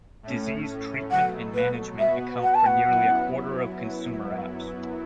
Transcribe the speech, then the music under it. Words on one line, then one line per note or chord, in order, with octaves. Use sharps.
Disease treatment and management account for nearly a quarter of consumer apps.
A2 A3 C#4
B2 F#3 A3 F#5
B4
B2 B3 F#4 B4 E5
F#5
A5
F#5
F#2 F#3 B3 E4